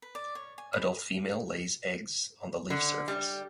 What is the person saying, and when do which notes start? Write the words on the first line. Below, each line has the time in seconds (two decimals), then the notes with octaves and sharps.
Adult female lays eggs on the leaf surface.
0.02 B4
0.15 D5
0.35 C#5
0.58 G#5
0.73 B5
2.70 D3
3.08 G3